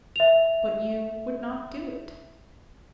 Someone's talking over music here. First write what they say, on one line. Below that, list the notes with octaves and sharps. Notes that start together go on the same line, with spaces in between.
But you would not do it.
E5 F7